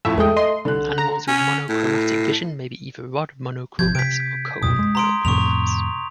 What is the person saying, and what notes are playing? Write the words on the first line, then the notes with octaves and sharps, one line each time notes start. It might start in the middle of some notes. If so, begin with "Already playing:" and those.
Animals with monochromatic vision may be either rod monochromats or cone monochromats.
F2 A2 E5
E2 G#3 A3 G5 D#6
D#5 C6
C2 D3 F#6
A#5
C#4
A2
G#1 F3 G6 G#6
C3 B6 D7
D1 F#2 B2 D#6
G#3
A#5 C6 D7
F2 A2 C3 C#6 F7